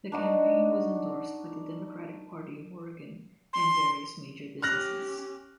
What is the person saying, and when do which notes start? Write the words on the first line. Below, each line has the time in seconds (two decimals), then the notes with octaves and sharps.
The campaign was endorsed by the Democratic Party of Oregon and various major businesses.
0.12 D4 D#4 F#4
3.53 C6
4.62 C#4 G4 F6 F#6 A#6